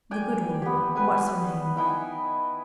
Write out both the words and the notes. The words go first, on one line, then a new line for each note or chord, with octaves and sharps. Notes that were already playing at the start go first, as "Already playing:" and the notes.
The good woman--what's her name?
D5 G5 G#5
B3 G4
G3 B3 B4 G#5
D#4 E4 G5 G#5